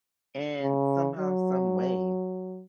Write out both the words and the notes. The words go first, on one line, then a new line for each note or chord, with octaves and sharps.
and somehow, some way,
C#3
F#3